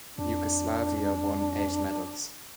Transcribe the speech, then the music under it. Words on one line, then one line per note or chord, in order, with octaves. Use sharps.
Yugoslavia won eight medals.
F2 D4